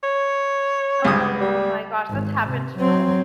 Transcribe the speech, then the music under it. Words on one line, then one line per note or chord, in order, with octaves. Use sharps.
Oh my gosh, that's happened to us?
C#5
C#2 G2 D#6
G3
G#1
C3
F#3 C4